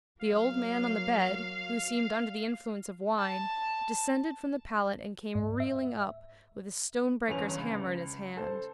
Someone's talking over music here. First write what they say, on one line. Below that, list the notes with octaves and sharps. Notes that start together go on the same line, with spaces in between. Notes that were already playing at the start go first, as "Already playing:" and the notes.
The old man on the bed, who seemed under the influence of wine, descended from the pallet and came reeling up, with a stone-breaker's hammer in his hand.
F#3 A#3 F5
A5
G#2
E5
G1 E2 C#4 G#5 F7
C#2
A4 C5